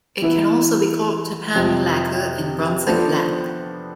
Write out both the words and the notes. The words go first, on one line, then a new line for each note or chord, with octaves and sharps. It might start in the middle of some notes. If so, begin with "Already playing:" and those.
It can also be called japan lacquer and Brunswick black.
E3 B3 E4 B4
F2 C3 F3
F3 B3 D4 A4 C5